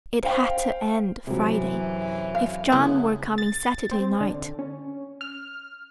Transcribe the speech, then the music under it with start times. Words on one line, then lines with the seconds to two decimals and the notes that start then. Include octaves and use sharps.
It had to end Friday, if John were coming Saturday night.
0.23 C5 F5 G5
1.27 F#2 C3 E3 F#3
2.35 F5
2.72 C#3 B3 E4
3.38 A6
3.91 C4
4.21 D3
4.59 C#4
5.21 F6